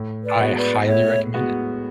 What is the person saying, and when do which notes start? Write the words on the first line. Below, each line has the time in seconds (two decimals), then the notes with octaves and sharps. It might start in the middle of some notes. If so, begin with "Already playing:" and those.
I highly recommend it
Already playing: A2
0.24 B4 D5
0.39 G#3 B3 F#4
0.56 B4 D5
0.87 A2 C#5 E5
1.34 G#3 B3 F#4